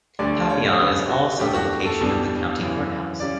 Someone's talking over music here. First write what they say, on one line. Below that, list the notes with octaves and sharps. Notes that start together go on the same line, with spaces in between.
Papillion is also the location of the county courthouse.
D2 D3 G3 D4 D5
C#5
C#3 G3 B3 D4 B4
F#4
E2 B2 A3 D4 G4
F#4
A4
E2 B2 G3 D4
F#2 C#3 E3
C#3 G3 C#4 D5